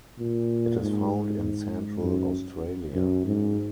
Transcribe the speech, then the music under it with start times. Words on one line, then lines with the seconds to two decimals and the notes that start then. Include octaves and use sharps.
It is found in central Australia.
0.19 A#2
0.80 G#2
1.42 G#2
2.03 F#2
2.94 F#2
3.25 G#2